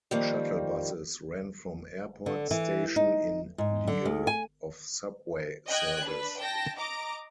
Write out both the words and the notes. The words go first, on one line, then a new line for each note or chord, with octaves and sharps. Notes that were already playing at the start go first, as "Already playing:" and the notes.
Shuttle buses ran from Airport Station in lieu of subway service.
D#3 F3 G3 A#3
D3
E3
D#4
G#2
D3
D2
G#5
D#5 G5 F#6 G#6
D4 B4
G5 A5 A#6
D#5 A#5 D6